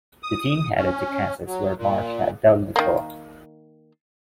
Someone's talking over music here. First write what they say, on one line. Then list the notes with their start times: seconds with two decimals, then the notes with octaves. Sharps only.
The team headed to Kansas where Marsh had dug before.
0.23 D#6
0.76 C#4
1.46 F#3
1.78 A#2
2.76 D#3 A#3